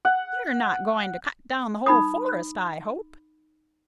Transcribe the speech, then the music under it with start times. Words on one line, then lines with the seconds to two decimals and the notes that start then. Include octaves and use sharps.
"You're not going to cut down the whole forest, I hope."
0.05 F#5
1.86 D#4 B5 D#6